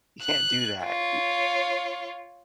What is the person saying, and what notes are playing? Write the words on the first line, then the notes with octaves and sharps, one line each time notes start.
You can't do that. Y
F#6
F4 C#5